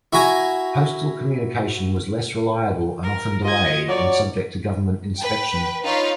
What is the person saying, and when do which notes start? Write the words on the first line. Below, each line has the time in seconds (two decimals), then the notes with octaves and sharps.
Postal communications was less reliable and often delayed and subject to government inspection.
0.13 E4 F#4 G#5 A#5
3.03 A#4
3.44 F4 D#5 G#6
3.88 F#3 C#5 D5
5.16 B4 G5
5.83 D#4 F4 B4 C#5 F5